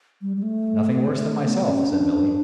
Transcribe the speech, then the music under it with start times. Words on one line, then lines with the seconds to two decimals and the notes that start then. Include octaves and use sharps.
"Nothing worse than myself," said Billy.
0.22 G3
0.37 G3
0.43 A3
1.06 A3
1.36 A3
1.47 B3
1.68 C#4
1.89 D4